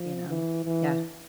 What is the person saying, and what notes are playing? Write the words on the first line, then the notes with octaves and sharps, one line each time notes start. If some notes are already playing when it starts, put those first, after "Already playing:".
you know? Yeah.
Already playing: F3
E3
E3